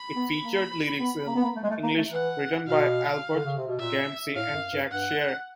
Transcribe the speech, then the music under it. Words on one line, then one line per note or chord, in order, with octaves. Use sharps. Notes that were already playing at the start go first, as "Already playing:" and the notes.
It featured lyrics in English written by Albert Gamse and Jack Sherr.
Already playing: B5
B3
A#3
B3
A#3
B3
A#3
A3
G#3
A3
A#3
A3
E3 F#5
B2 F5
D3
C#3
C3
B2
A#2 E5
A2 F5
F#2
G2
G2 F#5